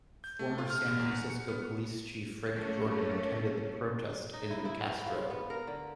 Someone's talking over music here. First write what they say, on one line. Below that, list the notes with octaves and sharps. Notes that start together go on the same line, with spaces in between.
Former San Francisco police chief Frank Jordan attended the protest in the Castro.
G6
A3
F4
F6
A1
E2
F#5
C#7
B3
A3 A#3 C#4
D#4
E4
E4
B4
F3
B3
A#4
D3